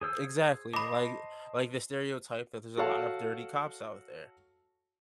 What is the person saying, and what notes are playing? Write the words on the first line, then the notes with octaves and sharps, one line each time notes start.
Exactly, like like the stereotype that there's a lot of dirty cops out there.
G#4 C5 E6
C5 D#5 A5 B5 D6
F#4 A4 C#5 F5 A5